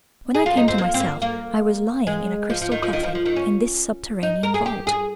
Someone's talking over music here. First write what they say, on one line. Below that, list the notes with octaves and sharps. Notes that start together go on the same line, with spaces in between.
'When I came to myself I was lying in a crystal coffin in this subterranean vault.
G#4
F4
D#4
C4
A#3
C4
A#3
A#3
G#3
F3
F3
D#3
F3
D#3
F3
F3
D#3
C#4
D#4
A#4
G#4
G4
G#4